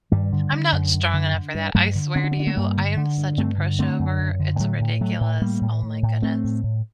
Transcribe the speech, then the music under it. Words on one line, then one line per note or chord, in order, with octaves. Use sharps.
I'm not strong enough for that. I swear to you, I am such a pushover. It's ridiculous. Oh my goodness.
G2 D#3 G3
D3
D3
F#2
F#2
D3
D3
G2
G2 F#3 A3
D3
D3 C4
D4
C4
G2
D4
A3 C4
G2 G3 A#3
D3
D3
G2
G2 A3 C4
D3
D3 A3 C4
F#2
F#2
D3
A2 F#3 A3
A2
A2 F#3 A3
A2
A2 G3 A#3
A2
A2
A2
A2 A3 C4
A2
A2